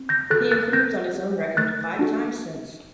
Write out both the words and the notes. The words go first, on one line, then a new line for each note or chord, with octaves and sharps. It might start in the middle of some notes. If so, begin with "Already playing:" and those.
He improved on his own record five times since.
Already playing: C4
G6 A#6
F#4 A4 F#6 A6
F#6 A6
C4 G6 A#6
G4
A3 F#6 A6
D4 F#4 A4